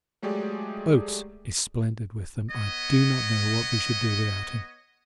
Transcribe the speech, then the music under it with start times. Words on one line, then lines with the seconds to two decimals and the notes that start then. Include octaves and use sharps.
Oates is splendid with them--I do not know what we should do without him.
0.22 F#3 G#3 A3 G4 G#4 D5
2.50 B3 C#5 D#5